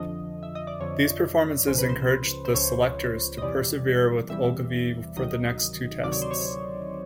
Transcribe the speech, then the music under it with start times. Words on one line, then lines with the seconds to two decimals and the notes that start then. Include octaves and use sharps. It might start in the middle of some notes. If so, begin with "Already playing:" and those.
These performances encouraged the selectors to persevere with Ogilvie for the next two tests.
Already playing: F2 D3 F3 D#5
0.43 E5
0.55 D#5
0.67 D5
0.80 F2 D3 F3 C#5
1.67 C#2 C#3 F3 C5
1.78 B4
1.89 C5
2.45 C5
2.54 C#2 C#3 F3 C#5
3.38 D#5
3.42 E2 C3 E3 G3 D5
4.29 E2 C3 E3 G3 E5
4.44 E5
5.17 D2 C3 D#3 F#3 D#5
6.03 D2 C3 D#3 F#3 D5
6.12 C#5
6.22 C5
6.31 C#5